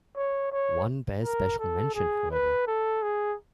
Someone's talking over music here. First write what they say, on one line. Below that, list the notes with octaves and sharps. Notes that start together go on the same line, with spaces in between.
One bears special mention, however.
C#5
C#5
A#4
A4
G#4
B4
A4
G#4